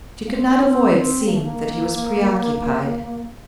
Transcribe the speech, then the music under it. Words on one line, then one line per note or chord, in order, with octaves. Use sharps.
She could not avoid seeing that he was preoccupied.
A#3
C4
D4
C4
C4
A#3
A3
A#3